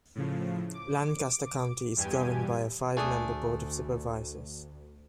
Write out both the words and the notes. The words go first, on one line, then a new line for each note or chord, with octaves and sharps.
Lancaster County is governed by a five-member board of supervisors.
A2 C#3 F3
D6
E2 G2 G4 G#5 D#7
D2 A3 D4 G#4 D#6